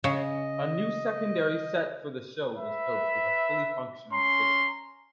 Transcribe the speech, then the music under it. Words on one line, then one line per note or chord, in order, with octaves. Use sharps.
A new secondary set for the show was built with a fully functional kitchen.
C#3 D#5
B4 E5
C#4 A#5 C6